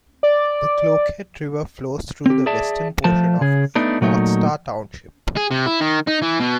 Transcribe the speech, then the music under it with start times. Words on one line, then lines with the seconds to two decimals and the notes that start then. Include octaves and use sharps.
The Cloquet River flows through the western portion of North Star Township.
0.23 D5
2.26 C4 G4
2.46 G#4 D5 E5 A5
3.04 F3 A3 A5
3.41 C#3 G#4
3.75 A3 B3 D4 D#4
4.01 A#2 F#3 A3 D#4
5.36 G#4
5.51 C3
5.66 E4
5.81 D#3
6.08 D#4
6.23 E3
6.40 B2